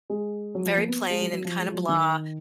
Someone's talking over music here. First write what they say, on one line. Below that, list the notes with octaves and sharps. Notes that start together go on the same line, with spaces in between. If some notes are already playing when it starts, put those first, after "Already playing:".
very plain and kinda, blah,
G#3
F#3
F3
A#3
B3
G#3
F#3
F#3
F3
G#3
F3
F#3
D#3